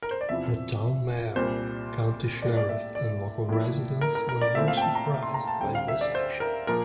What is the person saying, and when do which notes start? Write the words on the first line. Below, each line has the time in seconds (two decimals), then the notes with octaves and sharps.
The town mayor, county sheriff, and local residents were very surprised by this action.
0.02 A#4
0.11 C5
0.21 D5
0.29 E2 C3 F3 C4 E4 E5
1.36 C2 A#2 G3 C5
2.42 A2 G3 A#3 D5
2.57 D5
2.69 E5
2.95 D5
3.49 A2 F3 A#3 E4
4.01 A#4
4.15 A#4
4.29 A#4
4.41 D5
4.55 A#2 A3 C4 E4 E5
4.68 F5
4.77 G5
4.81 A5
4.95 A#5
5.23 C6
5.34 A#5
5.48 A5
5.61 D2 D3 G3 C4 G5
5.75 F5
5.88 E5
6.01 D5
6.15 C5
6.40 A#4
6.67 A#2 F3 A#4